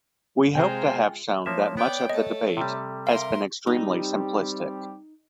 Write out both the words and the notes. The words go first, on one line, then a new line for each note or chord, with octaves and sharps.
We hope to have shown that much of the debate has been extremely simplistic.
C3 G#3 F4 C5 G5 G#5 A#5 G6
F3 A#3 C#5 E5
B3 D5 G5
A3 A4 D#5
C3 G3
A#4 E5 F5 C6
G3 C4 D#4 G4